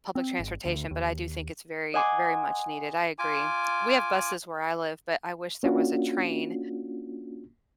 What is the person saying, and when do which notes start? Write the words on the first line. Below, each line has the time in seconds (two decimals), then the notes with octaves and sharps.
public transportation, but I do think it's very, very much needed. I agree. We have buses where I live, but I wish there was a train
0.15 C4
0.39 G#1
0.65 D2
0.91 D#2
1.94 D#5 F#5 G#5 C6 D6
3.19 F4 G#5 D6
5.63 A#3 C#4 D4 F4 F#4